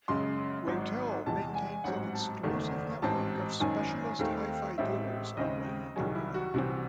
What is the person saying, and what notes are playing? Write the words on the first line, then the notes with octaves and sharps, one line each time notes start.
Rotel maintains an exclusive network of specialist hi-fi dealers around the world.
F#2 C#3 G#3 C6
G#1 G#2 F#3 C4
E2 C3 E3 G#3 A5
G#5
A1 G#2 F#3 C4 F#5
A5
F#1 E2 D#3 A3
A1 G#2 E3 C4 A5
G#1 F#2 D#3 G#5
D#2 D#3 A3 C4
A1 A2 G#3 C4 E5
D#2 C#3 G#3 C4 D#5
C2 C3 D#3 F#3 G#4
E4
F#4
C2 C3 E3 C4 F#4